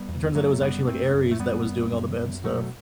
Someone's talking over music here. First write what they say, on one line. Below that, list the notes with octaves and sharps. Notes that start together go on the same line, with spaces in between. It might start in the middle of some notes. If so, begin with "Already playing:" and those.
it turns out it was actually, like, Ares that was doing all the bad stuff,
Already playing: G3 B3
E2
F#2 F#3 A3
F#2 G3 B3
F#2 A3 C4
F#2
A3
F#2 G3 B3
F#2
F#2
F#2
B2 F#3 A3